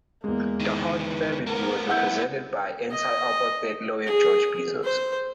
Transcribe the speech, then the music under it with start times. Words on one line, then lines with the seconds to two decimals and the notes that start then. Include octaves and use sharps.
The Hani family was represented by anti-apartheid lawyer George Bizos.
0.24 E2 G#3 A#3
0.60 D#3 E3
0.98 B4
1.47 A#3 B3 A#4
1.89 E4 F#5 E6 G6
2.91 D#5
4.07 G#4
4.84 C5